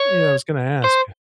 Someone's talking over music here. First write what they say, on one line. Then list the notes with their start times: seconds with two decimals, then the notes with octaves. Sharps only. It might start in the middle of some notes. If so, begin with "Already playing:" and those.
Yeah, I was gonna ask.
Already playing: C#5
0.84 C5